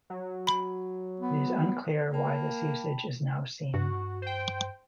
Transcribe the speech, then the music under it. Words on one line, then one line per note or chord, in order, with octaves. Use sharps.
It is unclear why this usage is now seen.
F#3
B5
B3
A#3 G5 A5 B5
G2 F#4
C5 G5